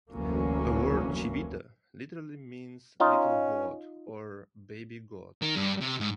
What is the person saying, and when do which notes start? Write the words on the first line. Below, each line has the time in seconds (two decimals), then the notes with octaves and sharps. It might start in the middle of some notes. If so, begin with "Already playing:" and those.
The word "Chivito" literally means "little goat" or "baby goat".
0.12 F1 D2 E3 F#3 A#3 C#4
3.00 C#4 D#4 F4
5.42 D#3
5.56 G2
5.81 C3
6.00 G#2